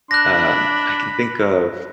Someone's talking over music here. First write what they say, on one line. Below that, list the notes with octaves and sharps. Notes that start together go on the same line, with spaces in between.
uh, I can think of
D4 B5 F#6 A#6